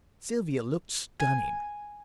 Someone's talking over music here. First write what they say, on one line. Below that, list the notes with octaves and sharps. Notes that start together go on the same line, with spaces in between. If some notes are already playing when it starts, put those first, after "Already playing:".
Sylvia looked stunning.
G#5